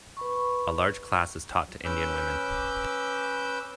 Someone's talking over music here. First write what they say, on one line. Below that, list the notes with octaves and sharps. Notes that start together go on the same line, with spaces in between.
A large class is taught to indian women.
B4 B5 C#6
C#4 B4 D6 E6 G6